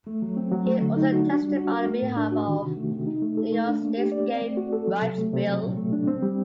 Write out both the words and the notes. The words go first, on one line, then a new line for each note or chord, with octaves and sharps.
He also testified on behalf of New York State's Gay Rights Bill.
A3
F#3
C4
F#3
A3
D3
D#4
F#4
D4
G3
F#4
A#4
A3
A2
D4
F#4
D#3
C3
A3
C3
D#4
A3
A4
A3
D4
A#3
G4
D5
C4
A3
F#4
A4
F#3
C3
A3
C3
F#3
A#2
A3
D4
C4
G3